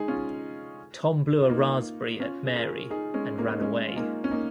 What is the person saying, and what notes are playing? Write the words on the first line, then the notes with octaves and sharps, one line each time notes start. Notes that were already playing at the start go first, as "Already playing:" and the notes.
Tom blew a raspberry at Mary and ran away.
Already playing: G#3 D#4 G#4
C#4 F4
F4
A#3 D#4
C#4 F4
G#4
F4 A#4
D#4 G#4
G#3 C#4
A#3
D#4
G#3 C#4
F4
A#3 D#4
C#4
A#3 D#4